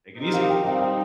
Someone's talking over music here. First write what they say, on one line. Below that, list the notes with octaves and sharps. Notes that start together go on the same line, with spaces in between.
Take it easy,
C4 D#4 G4 A#4
F5
G5
G3 C4 D#4 F5
G5